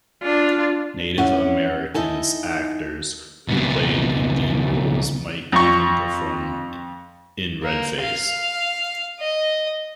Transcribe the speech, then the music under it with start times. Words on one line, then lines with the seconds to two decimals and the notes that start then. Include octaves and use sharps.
Native Americans actors who played Indian roles might even perform in redface.
0.23 D4 F4
1.18 C#4 E4 F#5
1.94 D#4 E4 A4 G#5
3.48 C#2 B2
5.52 F2 C#6
7.63 A#3
8.01 F5
9.20 D#5